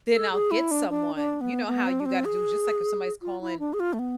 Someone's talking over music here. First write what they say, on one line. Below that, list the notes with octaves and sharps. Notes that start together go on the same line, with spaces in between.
then I'll get someone," you know how you gotta do just like if somebody's calling
A4
G#4
E4
D4
D4
D4
B3
B3
C4
D4
C4
G#4
F4
E4
D4
G#4
F4
A3
B3